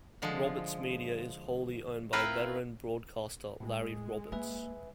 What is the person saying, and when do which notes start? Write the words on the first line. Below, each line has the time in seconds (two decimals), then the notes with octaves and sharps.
Roberts Media is wholly owned by veteran broadcaster Larry Roberts.
0.22 D3 F3 G#3
2.13 C4 E4 F4 A#4 B4
3.60 A2 G#3
4.32 A#3 B4 E5 G#5